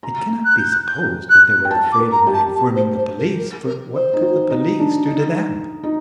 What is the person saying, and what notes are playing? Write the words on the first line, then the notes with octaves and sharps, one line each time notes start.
It cannot be supposed that they were afraid of my informing the police; for what could the police do to them?
A#5
F#6
G6
F#6
G6
F#6
G5
A5
D6
A#4
A#5
G4
A5
A5
C5
C5
A#4
A#4
A#4
C5
D#4
F#4
D#4
D4
D#4
D#4